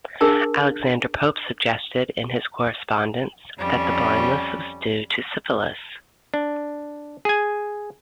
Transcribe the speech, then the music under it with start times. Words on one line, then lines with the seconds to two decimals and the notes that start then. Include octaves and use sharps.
Alexander Pope suggested, in his correspondence, that the blindness was due to syphilis.
0.21 D4 G#4 A#4 A5
3.58 F2 G3 C#4
6.34 D4
7.25 G#4 G#5